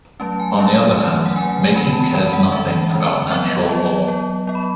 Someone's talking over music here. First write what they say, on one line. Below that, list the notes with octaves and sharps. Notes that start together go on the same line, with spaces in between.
On the other hand, Making cares nothing about natural law.
F#3 A3 C#4 A5
G#5
F#3 A3 C#4 A5
F#3 A3 C#4
F#5
F#3 A3 C#4 G#5
E3 G#3 C#4 B5
A5
B5
E3 G#3 C#4 B5
F#5
E3 G#3 C#4 E5
E3 G#3 C#4
F#3 B3 E5
D#5
F#3 B3 A5
F#3 B3
F#3 B3
B5